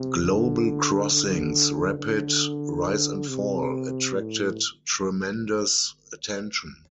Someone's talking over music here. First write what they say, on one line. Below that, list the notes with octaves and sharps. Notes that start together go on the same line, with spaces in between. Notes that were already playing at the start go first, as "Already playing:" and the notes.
Global Crossing's rapid rise and fall attracted tremendous attention.
Already playing: C3
D3
D3
D3
C3
A2